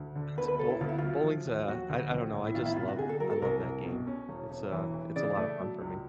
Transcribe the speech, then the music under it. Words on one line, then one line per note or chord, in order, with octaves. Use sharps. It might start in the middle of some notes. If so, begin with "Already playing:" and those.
That's bowl bowling's a I I don't know, I just love I love that game, it's a it's a lot of fun for me.
Already playing: D2
D3
D2 B4
B4
E1 A4
E4
D2 F4
E4
F#3 F4
F3
D#2
F#3 F#4
D2
A#1
A2
E4
D#3 F4
E4
C3 F4
F#4
D3 G#4
A4
F#3 A#4
A4
C2 A#4
C2
B2
C#4
E1
E1
E3
E3
C#3 D5
A3
F#3
C#2